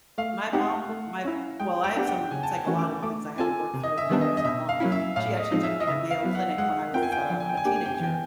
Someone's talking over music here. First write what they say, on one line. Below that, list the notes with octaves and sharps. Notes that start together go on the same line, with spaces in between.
My mom my well, I have some psychological things I had to work through in regards to my mom. She actually took me to Mayo Clinic when I was, uh, a teenager,
A3 F5
C4 D#4 G4 F#5
A3
C#4 E4
G#3 G5
G5
B3 D4 G4 F#5
G5
C#3 G#5
A5
G#5
E3 A3 C#4 F#4
D6
A3 D6
C4 F4 A4 G#5
C3
D#5
E5
D#3 G3 B3 D4
D#5
D#5
B2 E5
F5
F#3 A#3 C#4 E4
E5
A2 F5
D#5
F3 G#3 C4 D#4
E5
D#5
C#3 E5
F5
F#3 B3 E4
F#5
G#3 F#5
C4 F4 A#4 G5
G#5
G5
G#5
F3 G5
G#5
G5
G#5
A#3 D4 G4 G5
G#5
G5
G#5
E3 G5